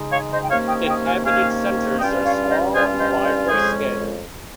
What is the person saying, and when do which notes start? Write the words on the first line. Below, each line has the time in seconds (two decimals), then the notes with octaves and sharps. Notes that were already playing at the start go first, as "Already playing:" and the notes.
Inhabited centers are small and widely scattered.
Already playing: C#3 G#3 D#4
0.12 C#5 F5
0.31 C5 D#5
0.44 G5
0.49 C3 D#3 A#3 C#4 C#5 F5
0.68 D#5 G5
0.87 D#5 G5
1.06 F5 G#5
1.25 C3 D#3 A#3 C#4 F5 G#5
1.99 G2 G3 C#4 F4 D#5 G5
2.24 C#5 F5
2.43 F5
2.49 C5 D#5
2.73 G2 G3 C#4 F4 G#4 C5
2.99 C5 D#5
3.23 C5 D#5
3.48 F2 C#3 G#3 C#4 G#4 C5